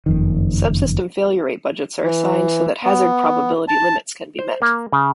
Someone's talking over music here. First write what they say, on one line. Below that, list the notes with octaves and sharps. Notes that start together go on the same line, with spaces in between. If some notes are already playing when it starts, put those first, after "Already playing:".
Subsystem failure rate budgets are assigned so that hazard probability limits can be met.
F#1 F2 D#3
E3
B3
A5
C5
A#3
C#3